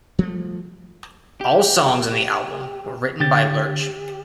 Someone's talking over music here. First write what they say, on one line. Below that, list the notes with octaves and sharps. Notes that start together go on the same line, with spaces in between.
All songs on the album were written by Lerche.
F3 G3 A3
G4
D3 G4 A6